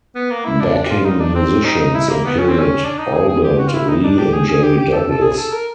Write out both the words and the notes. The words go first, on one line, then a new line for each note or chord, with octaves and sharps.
Backing musicians included Albert Lee and Jerry Douglas.
B3
A#3
E4
D4
D4
F4
D#4
D4
C4
D#4
D#4
E4
A#3
B3
C#4
C4
C#4
D4
D#4
G#4
G#4
G4
F#4
F4
E4
D#4
D4
G4
G#4
G#4
G4
G4
A4
A4
G#4
A4
A#4